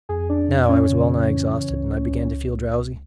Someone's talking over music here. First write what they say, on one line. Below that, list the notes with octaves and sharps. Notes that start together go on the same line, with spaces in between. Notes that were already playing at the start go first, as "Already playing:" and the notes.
Now I was well-nigh exhausted, and began to feel drowsy.
F2 G#4 G#5
D4 D5
F2
D5
C#4 C#5
C#3
E3
C#2
C#2